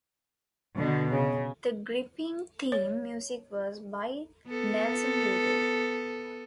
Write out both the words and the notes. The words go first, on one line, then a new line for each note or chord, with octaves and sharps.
The gripping theme music was by Nelson Riddle.
B2 D3
C#3
C#5
B3 A4